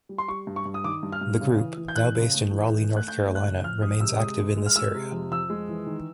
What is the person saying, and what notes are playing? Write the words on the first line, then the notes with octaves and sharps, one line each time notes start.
The group, now based in Raleigh, North Carolina, remains active in this area.
G3
C6
G3 C#6
G2
C#6
G2
D#6
D#3 D6
G2
F6
G2
C#3
E3
E3
G6
E3 F#6
C#3
A3
E3
E3
A3
F#6
A3 G6
A3
F#6
C#3
F2 F6
G#3 D#6
C3 E6
G#3 D#6
G#3
G#3
F6
G#3 E6
C3
F2
F2 E6
G#3
E3
D#3